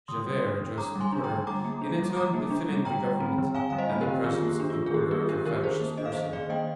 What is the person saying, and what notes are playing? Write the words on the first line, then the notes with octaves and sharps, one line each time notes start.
Javert addressed the porter in a tone befitting the government, and the presence of the porter of a factious person.
D3 C6 D#6
G3
D4
D3
D3 A#5 D6
G3
G#5 C6
D4
G5 A#5
D3
G3 A#5 D6
A#3
D4
G3
G3 A#5 D6
A#3
D4
G3
D3 G5 A#5
G3
C4
D3
D3 F5 G#5
G3 F5
C5 D#5
C4
G4 A#4
D3
D#3 F4 G#4
A#3
G4
D4
F4
D#3
G#4
D#3 G4
A#3 F4 G#4
D4 G4 A#4
D#3 G4 A#4
D#3 G#4 C5
A#3
D4 D#5
F5
D#3 C5 D#5
D#3 D5 F5
A#3 D#5 G5